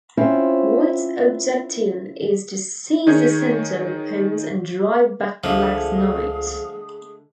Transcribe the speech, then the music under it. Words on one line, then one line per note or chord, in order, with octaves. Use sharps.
White's objective is to seize the center with pawns and drive back Black's knights.
C4 C#4 E4 F4 C5 C#5
D#3 D#4 G#4 C#5 G6 G#6
C#2 D3 F3 G#3 A3 G#4